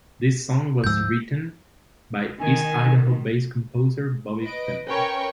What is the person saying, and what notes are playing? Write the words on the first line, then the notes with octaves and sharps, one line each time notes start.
This song was written by east Idaho based composer Bobby Fender.
D2 G#2 F3 E6 G6
D#3 G#5
B4 D#5 D7
C#4 A#4 B4 C#5 G5 C#6